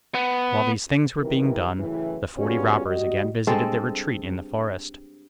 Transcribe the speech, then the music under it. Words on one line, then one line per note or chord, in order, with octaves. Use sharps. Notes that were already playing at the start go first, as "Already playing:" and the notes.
While these things were being done, the forty robbers again visited their retreat in the forest.
B3
C3 D#3 E3 F#3 A#4
F#2 A2 C#3 E3
G3 B3 C#4 F4 F#4 G#4
G3 F#4 D#5
G2 G#3 C4 A4